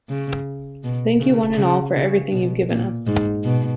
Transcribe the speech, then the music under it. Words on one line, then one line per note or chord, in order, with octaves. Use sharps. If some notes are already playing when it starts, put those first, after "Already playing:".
Thank you one and all for everything you've given us.
C#3
B2
C#3
C#3
C#3
B2
A#2
G#2
B2